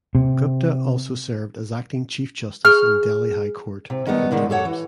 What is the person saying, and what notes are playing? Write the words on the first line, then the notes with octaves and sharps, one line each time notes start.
Gupta also served as acting Chief Justice in Delhi High Court different times.
C3
G#4 F6
C3
D#3 G3 A3 B3 D#4
A2 D3 D#3 G#3
G4 A4 C#5 F#5
E3